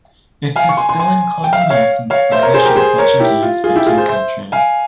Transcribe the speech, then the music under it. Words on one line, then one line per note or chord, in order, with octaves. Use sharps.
It is still in common use in Spanish- and Portuguese-speaking countries.
F5 G#5
C#6
G#5 C6
G#5 C6
G#5 C6
G5
F5
E5
C#5 F5
C#5 F5
C5 E5
A#4 C#5
G#4 C5
G4 A#4
G#4 C5
A#4 C#5
E4 G4
F4
F4 G#4
E4 G4
F4 G#4
G#4 C5
C5 E5
F5 G#5